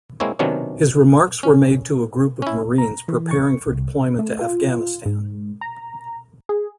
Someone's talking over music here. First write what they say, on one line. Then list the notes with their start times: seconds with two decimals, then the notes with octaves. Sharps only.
His remarks were made to a group of Marines preparing for deployment to Afghanistan.
0.20 G#3 A#3 C4 E4 C#5
0.39 C3 D#3 F#3 B3 C#4 D4
1.43 C#4
2.42 C#4 E4
2.78 A#5
3.08 E3
3.31 C#6
3.67 C2
4.19 A3
4.41 F4
5.06 G#2
5.61 A#5
6.49 G#4